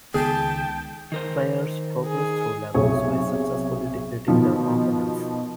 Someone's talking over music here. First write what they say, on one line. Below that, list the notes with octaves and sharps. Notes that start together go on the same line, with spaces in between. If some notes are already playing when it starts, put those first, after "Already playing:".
Players progress through levels by successfully defeating their opponent.
C#2 D#3 B3 G#4 G5 A5
D#3 A#4 C5
G#4
B1 C3 G#4 C#5
B2 D#3 F3